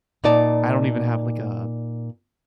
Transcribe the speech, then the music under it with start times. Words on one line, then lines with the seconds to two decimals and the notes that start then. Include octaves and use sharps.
I don't even have, like, a
0.24 A#2 D#4 D5 A5